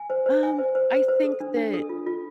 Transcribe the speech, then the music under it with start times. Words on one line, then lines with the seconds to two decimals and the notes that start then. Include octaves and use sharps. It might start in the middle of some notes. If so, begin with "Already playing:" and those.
Um, I think that
Already playing: G#5
0.10 C5
0.26 C5
0.43 G#5
0.59 C5
0.75 C5
0.92 C5
1.08 C5
1.24 A4
1.40 D4
1.57 D4
1.73 A4
1.89 F4
2.07 F4